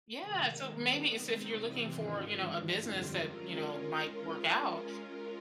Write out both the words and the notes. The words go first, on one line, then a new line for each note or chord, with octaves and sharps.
Yeah, so maybe so if you're looking for, you know, a business that, you know, might work out,
C3 D#3 G#3
D#3 G3 B3
G#3 C4 D#4
C3 E3 G3 C4
G#2 D#3 G#3 C#4 F4
G2 E3 G#3
F2 D3 G3 C4 F4
G#3 C#4 F4 A#4